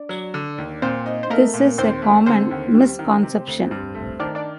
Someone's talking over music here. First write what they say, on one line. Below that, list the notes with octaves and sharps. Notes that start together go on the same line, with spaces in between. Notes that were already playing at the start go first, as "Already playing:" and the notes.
This is a common misconception.
Already playing: D4 D5
F#3
D3
D#2
A#2 C4 C5
D#4
C5
A3 A#3 A#4
A#2
D#2 C4 C5
A3
D3 C4 C5
D#2
G3
D#3
C3
D2
G2
A3
D#3 D4 D5
D4 D5